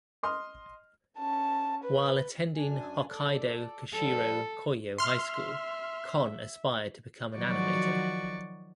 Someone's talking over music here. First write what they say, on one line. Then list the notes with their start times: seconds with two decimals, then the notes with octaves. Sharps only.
While attending Hokkaido Kushiro Koryo High School, Kon aspired to become an animator.
0.23 D#5 C6 D#6 F6
1.18 C#4 A5
1.84 B4
2.56 F#2 D4 G#5
3.08 A4 D5
3.93 F3 G3 A4
4.98 E5 C6 F6
7.37 D#3 F3 F#3 F#4 D5 C#6